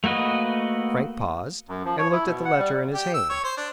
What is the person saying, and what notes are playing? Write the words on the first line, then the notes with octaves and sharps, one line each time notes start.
Frank paused, and looked at the letter in his hand.
A3 A#3 F#4 B4 D#5
F#2
F3
C#5
E4
B2
F#5
G3
G4
E6
C#5
C5
D4